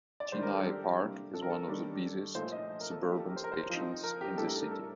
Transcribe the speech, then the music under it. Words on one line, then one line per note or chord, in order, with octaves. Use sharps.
Chennai Park is one of the busiest suburban stations in the city.
D5
D#3 G3 D4 C5
A#4
A4
G4
C3 G3 A#3 D4
A4
A#4
A4
D#3 G3 D4
A#2 F3 A3 D#4 C5
D#5
A#4
A4
F3 A#3 D#4 A4
G4
A4
A#4
C5
A#4
C5
F3 C4 D#4
A#4
G4
A2 G3 D4 A4
A#4
A4
A#4
A4
A#4